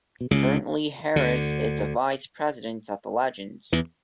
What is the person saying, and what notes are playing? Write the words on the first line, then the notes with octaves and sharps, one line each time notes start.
Currently Harris is the Vice President of the Legends.
B2
C#2 C#3
D2 D3
E2 E3